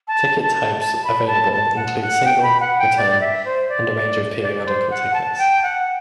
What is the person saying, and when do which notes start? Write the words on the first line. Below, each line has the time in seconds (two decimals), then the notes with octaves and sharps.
Ticket types available include single, return, and a range of periodical tickets.
0.08 A5
0.43 A5
0.80 A5
1.04 B5
1.27 A5
1.52 A5
1.76 F#5
2.00 F#5
2.25 G5
2.43 B5
2.60 F#5
2.79 G5
2.97 D5
3.21 E5
3.45 C5
3.69 D5
3.94 D5
4.42 D5
4.66 C5
4.91 F#5
5.14 A5
5.38 G5
5.63 F#5